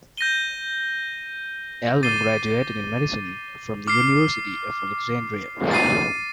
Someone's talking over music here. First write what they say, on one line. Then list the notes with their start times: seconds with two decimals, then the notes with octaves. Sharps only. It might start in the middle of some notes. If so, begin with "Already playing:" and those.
Alwan graduated in Medicine from the University of Alexandria.
0.17 G6 A#6 D#7 G7
2.03 D6 A6 C7 D#7 G7
3.87 D6 F6 C7
5.71 A6 C7 D#7